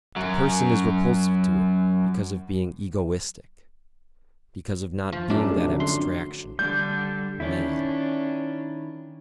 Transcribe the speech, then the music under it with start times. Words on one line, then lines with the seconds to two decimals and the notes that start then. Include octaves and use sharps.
The person is repulsive to it because of being "egoistic," because of not being that abstraction, Man.
0.16 F#2 F#3
5.12 F3
5.30 F#2 D4
5.51 C3 A3
5.64 F#2 D3 F#4
5.80 C6
6.59 D3 G3 D4 G6
7.40 D#3 C#4 D4 E4